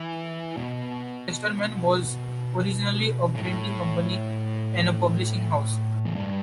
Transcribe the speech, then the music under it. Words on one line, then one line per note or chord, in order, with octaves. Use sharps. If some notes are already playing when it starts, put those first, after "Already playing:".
Casterman was originally a printing company and publishing house.
Already playing: E3
B2
A2
E2
G2